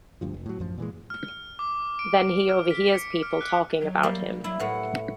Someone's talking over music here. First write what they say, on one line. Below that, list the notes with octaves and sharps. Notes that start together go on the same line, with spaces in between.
Then he overhears people talking about him.
D1 D2 G2 F3
F1
A2 F#3
A1 F#2 F3
A#2 E3 G#3
F6
D6
D7
F6
B6
C#7
F6
F#6
F#3
G3 A#3
F#3 E4
A2 B4 F#5